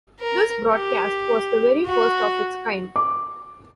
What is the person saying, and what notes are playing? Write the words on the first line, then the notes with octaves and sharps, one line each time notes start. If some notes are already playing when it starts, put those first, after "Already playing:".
This broadcast was the very first of its kind.
A#4
G4
F#4
D6